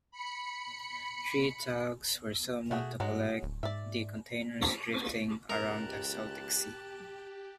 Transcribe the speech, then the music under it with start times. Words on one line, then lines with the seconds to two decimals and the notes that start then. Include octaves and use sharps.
Three tugs were summoned to collect the containers drifting around the Celtic Sea.
0.11 B5 C#7
2.71 B2 A3 F#4 G#4
3.00 G#2 F#3 G#3
3.43 D1
3.63 G#2 D5 E5
5.50 C#2 G4 A#4 A5 F#6